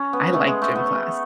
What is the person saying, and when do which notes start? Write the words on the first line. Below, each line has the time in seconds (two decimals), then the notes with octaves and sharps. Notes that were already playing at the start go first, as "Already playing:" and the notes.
I like gym class,
Already playing: C#4
0.13 B3
0.34 A3
0.47 G#3
0.62 A3
0.75 B3